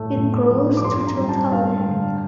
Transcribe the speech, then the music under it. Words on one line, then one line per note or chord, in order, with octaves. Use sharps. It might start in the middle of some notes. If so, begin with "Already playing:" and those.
It grows to total length.
Already playing: A2 A3
A2
F3
D6
G2 C6
A#5
G3
G5
A5
G2 F5
D3